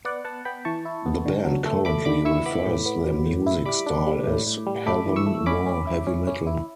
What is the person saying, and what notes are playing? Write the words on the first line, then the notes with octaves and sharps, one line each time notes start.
The band currently refers their music style as heathen war heavy metal.
B3 D5 F#5
B3 F#5 A5
B3 G5 B5
E3 A5 C#6
E4
B3
D3
F#3
A3
A3 B5 D6
D3 B5 D6
E4 C#6 E6
B3 B5 D6
A2
B3
F#3
A2
E4
G3 B5 D6
D4
G3
A2
A2
G3
A3 B5 D6
E3
C#6 E6
A3
C#4 B5 D6
C#4
E4
C#4
C#4
E4